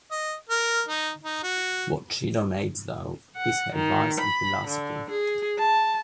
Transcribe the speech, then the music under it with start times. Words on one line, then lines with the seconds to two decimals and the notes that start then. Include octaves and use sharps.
What she donates, though, is her advice and philosophy.
0.11 D#5
0.49 A#4
0.88 D#4
1.23 D#4
1.43 F#4
3.37 F#5
3.75 D#3
4.20 B5
4.67 D3
5.10 G#4
5.59 A5